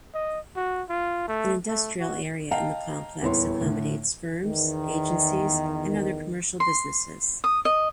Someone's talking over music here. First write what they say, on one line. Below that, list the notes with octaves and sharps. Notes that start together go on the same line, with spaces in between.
An industrial area in the complex accommodates firms, agencies and other commercial businesses.
D#5
F#4
F4
A3
A3
F#4
D#5 F5 G5 A5 A#5
D#1 E2 E4 C#5 C6
A2 D3
E2 D#3
C6
D#6
D#5